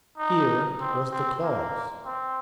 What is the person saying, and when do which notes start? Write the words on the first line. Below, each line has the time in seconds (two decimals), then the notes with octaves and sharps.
Here was the clause.
0.17 D#4
0.80 C4
1.11 C4
1.43 A#3
2.05 C4